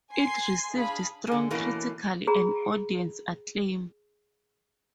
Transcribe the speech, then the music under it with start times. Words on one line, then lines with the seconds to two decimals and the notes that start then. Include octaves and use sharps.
It received strong critical and audience acclaim.
0.13 G#5 C6 C7
0.74 D4 G#4 F5 B5
1.27 D3 G#3
1.50 B2 E3 A3 A#3 C#4
2.27 G#4 A#5 B5